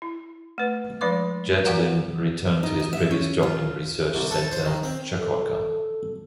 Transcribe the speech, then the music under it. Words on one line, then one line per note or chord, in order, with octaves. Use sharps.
Yetylin returned to his previous job in research centre "Chukotka".
E4
A3 B4
F3 G#3 D4 B4 C6 D6
E3 B3 F#4 F5 F#5 A#5
D#4
D#5
E5
C#4
F4
C2
A4
C5
D#3
C4
A4